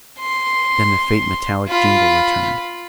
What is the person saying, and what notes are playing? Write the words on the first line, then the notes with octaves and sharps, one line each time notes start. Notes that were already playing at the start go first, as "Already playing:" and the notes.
Then the faint metallic jingle returned.
C6
F4 B5